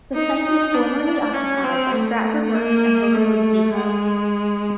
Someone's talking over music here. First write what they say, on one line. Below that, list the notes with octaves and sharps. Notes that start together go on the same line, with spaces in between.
The site was formerly occupied by Stratford Works and Locomotive Depot.
D#4
D#4
D4
C#4
C4
A3
A#3
A3
G#3